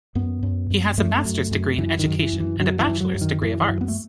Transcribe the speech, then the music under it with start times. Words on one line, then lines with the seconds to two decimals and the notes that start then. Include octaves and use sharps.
He has a Master's degree in Education, and a bachelor's degree of arts.
0.15 F#2 B3
0.43 F#2
0.70 F#2
0.98 F#2 A3
1.25 F#2
1.51 F#2
1.78 F#2 E3
1.99 D#3
2.06 F#2
2.19 E3
2.33 F#2
2.40 E3
2.59 F#2 F#3
2.80 E3
2.87 F#2
3.01 F#3
3.14 F#2
3.21 D#3
3.42 F#2 E3
3.62 E3
3.68 F#2
3.81 B3
3.88 A3